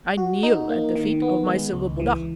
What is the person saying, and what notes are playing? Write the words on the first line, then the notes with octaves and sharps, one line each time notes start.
I kneel at the feet of my silver Buddha.
F#4
D#4
A#3
D#3
B3
G#3
C#2
E3